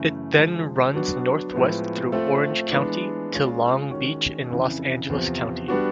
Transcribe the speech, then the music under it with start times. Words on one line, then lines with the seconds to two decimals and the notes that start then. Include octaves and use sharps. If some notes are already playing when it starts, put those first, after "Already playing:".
It then runs northwest through Orange County to Long Beach in Los Angeles County.
Already playing: F#2 C#3 E3 A3
0.34 D3 F3 G#3
0.94 F#3 B3 D4 F#4
1.53 A2 F3 G#3 B3
2.12 A3 C4 F4 A4
2.71 E3 G#3 B3 D4
3.32 G#3 C#4 F4
3.91 D#3 G#3 C#4 F#4
4.50 F2 C#3 E3
5.10 E2 C3 F3
5.68 G3 B3 D4 F#4